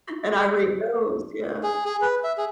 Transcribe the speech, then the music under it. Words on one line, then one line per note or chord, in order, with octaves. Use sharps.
and I read those, yeah.
G#4
G#4
B4
E5
G#4